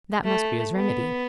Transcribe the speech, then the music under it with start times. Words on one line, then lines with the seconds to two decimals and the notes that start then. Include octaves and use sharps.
That must be his remedy.
0.24 A3
0.76 B3